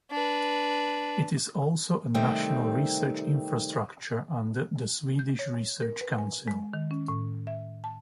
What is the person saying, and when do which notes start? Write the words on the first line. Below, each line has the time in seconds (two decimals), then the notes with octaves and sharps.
It is also a national research infrastructure under the Swedish Research Council.
0.11 D4 B4
2.14 C3 D#3 G3 A3 C4
5.19 G6
5.39 C#5
5.82 A#4
6.01 B4
6.18 G#5
6.48 G#3
6.73 D#3
6.91 C#4
7.08 A2
7.47 E5
7.84 A5